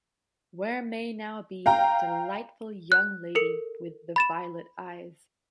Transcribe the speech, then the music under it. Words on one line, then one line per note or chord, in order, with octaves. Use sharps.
Where may now be that delightful young lady with the violet eyes?
F5 G5 A#5
F#6
A4 A#4 C#7
B5 A6 E7